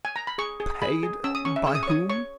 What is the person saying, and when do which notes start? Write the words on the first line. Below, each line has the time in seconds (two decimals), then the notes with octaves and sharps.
"Paid, by whom?"
0.05 G#5
0.16 A#5
0.27 B5
0.38 G#4 C#6
0.60 G#4
0.82 G#4 B5
1.03 G#4
1.24 C#4 E6
1.35 D#6
1.45 C#4 C#6
1.56 E5
1.66 G#4 E6
1.75 D#6
1.83 C#6
1.88 C#5 D#6
2.10 C#5 C#6